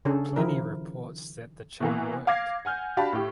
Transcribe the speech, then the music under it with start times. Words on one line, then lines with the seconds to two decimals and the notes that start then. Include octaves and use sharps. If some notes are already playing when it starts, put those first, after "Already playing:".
Pliny reports that the charm worked.
0.05 C#3 C#4 D4 G#4 A4
0.36 D#3 F3 E4 A#4
1.80 B2 E3 A#3
2.27 F5 D6 G#6 A#6 C7
2.65 F#5 G#5 F6 G6
2.97 D4 F#4 G4 F5 A5 B5
3.13 A2 G4